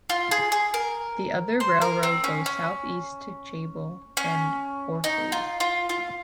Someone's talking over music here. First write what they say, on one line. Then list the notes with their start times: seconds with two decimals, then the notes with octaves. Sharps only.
The other railroad goes southeast to Chable and Orsieres.
0.09 F4
0.31 G#4
0.52 G#4
0.74 A#4
1.60 C5
1.81 A#4
2.03 C4
2.24 C#4
2.46 C#4
4.17 C#4
5.04 D#4
5.32 F4
5.60 F4
5.89 F4